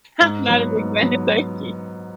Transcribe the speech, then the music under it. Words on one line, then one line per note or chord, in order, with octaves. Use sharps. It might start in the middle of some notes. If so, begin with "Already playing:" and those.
I'm not a big fan of turkey.
G#2
F#3 B3
G#2
F#3 B3